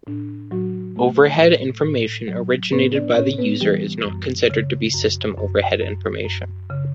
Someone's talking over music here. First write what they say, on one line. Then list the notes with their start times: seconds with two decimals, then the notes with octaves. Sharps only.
Overhead information originated by the user is not considered to be system overhead information.
0.07 A2 D4
0.51 A2 F#3 F#4
0.96 A3
1.40 A2
1.84 A2
2.28 F#3
2.72 A2 B3 B4
2.94 D4 D5
3.16 A2 C#4 C#5
3.38 B3 B4
3.61 E3 G3 G4
4.05 F#2
4.50 C#3
4.94 F#2
5.37 F#2
5.82 F#2
6.25 F#2
6.70 C#3